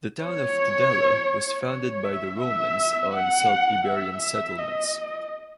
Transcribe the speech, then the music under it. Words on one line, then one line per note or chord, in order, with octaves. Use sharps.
The town of Tudela was founded by the Romans on Celt-Iberian settlements.
C#5
C#5
E5
E5
F#5
E5
E5
D#5